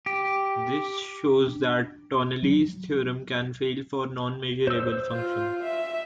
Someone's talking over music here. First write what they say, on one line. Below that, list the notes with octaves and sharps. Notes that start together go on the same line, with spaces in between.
This shows that Tonelli's theorem can fail for non-measurable functions.
G4
D4
F#3
C5 E6
F4
E5